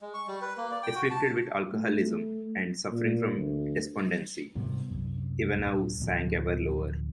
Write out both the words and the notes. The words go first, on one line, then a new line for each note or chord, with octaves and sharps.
Afflicted with alcoholism and suffering from despondency, Ivanov sank ever lower.
G#3
C#6
G3
B4
A#3
D5
G5
F#4
A5
A3
A#2
D2
G#2 C3 G3 B3
C2 F#2
D#1
D1 B2 F3